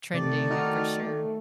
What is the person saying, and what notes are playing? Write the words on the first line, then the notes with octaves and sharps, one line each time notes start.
trending, uh, for sure.
C3 D#3 A3 D5
D#4 F#4 A#4 F6
A3